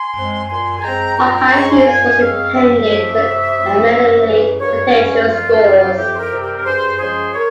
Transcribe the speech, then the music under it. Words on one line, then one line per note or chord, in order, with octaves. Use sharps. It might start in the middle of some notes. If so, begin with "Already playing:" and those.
Hawk-Eye's use was intended to eliminate contentious scores.
Already playing: G#5 C6
G#3 C4
A#2 G#5 C6
G#5
G#3 C4 G5 A#5
A#2 G5 A#5
G5 A#5
G#3 C4 A#5 C#6
G#5 C6
A#2 F5 G#5
G#3 C4 C#5 F5
C3 C5 E5
F3 A#3 C#4
C3
F3 A#3 C#4
G2
E3 G#3 C#4
G2 A#4 C#5
E3 G#3 C#4
F2 F4
C3 G3 C4
F2 E4 G4
C5
G4 A#4
C3 G3 C4
G4 A#4
A#4
G2 G#4 C5
F3 G#3 C#4 G#4 C5
A#4 C#5